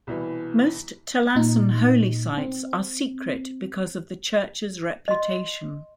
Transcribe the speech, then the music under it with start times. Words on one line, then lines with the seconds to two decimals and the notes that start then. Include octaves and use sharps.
Most Talassan holy sites are secret because of the church's reputation.
0.07 C2 B2 E3
1.36 A#2 D#4
2.38 C4
5.08 D#5 C6